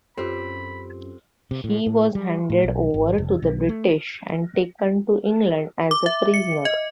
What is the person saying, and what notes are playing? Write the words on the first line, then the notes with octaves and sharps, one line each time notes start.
He was handed over to the British and taken to England as a prisoner.
F#2 C4 F4 G4 A4 B5
C3
A2
A2
G3
A2
B1
G#1
F1
B1
A3
D6
E5
C#7
D#5